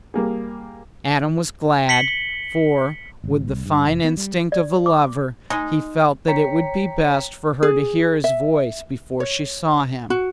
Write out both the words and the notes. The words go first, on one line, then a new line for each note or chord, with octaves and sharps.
Adam was glad, for, with the fine instinct of a lover, he felt that it would be best for her to hear his voice before she saw him.
G3 A#3 G#4
B6 C#7 F#7 G7
G#1
C2
G2
F1
B3
G3
D5
D6
G#3 D#4
C#5 G5 A#5 B6 C#7
G#4
E5
C#5
F#4